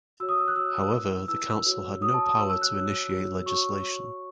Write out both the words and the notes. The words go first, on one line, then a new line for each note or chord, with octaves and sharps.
However, the council had no power to initiate legislation.
F#4 C#5 E6
D#6
E6
F#6
F#4 C#5 E6
E4 B4
E4 B4 E6
F#4 A4 C#5
F#4 A4 C#5 D#6
A5
D#6
F#4 C#5 E6
E6
F#6
F#4 C#5 E6
F#4 C#5
F#4 C#5 C#6
F#4 C#5